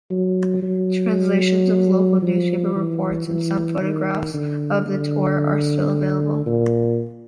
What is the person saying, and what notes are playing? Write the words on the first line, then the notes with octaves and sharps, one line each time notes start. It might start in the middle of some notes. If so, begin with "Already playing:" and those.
Translations of local newspaper reports, and some photographs of the tour, are still available.
F#3
F#3
F3
E3
E3
D#3
D3
D3
A#2